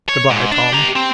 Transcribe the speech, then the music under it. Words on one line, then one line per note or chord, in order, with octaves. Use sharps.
Good-by, Tom.
C#5
G#2
D4
G4 A#5
C4